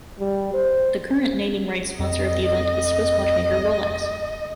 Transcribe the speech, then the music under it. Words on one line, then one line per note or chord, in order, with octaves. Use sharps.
The current naming rights sponsor of the event is Swiss watchmaker Rolex.
G3
C5
F2 D#5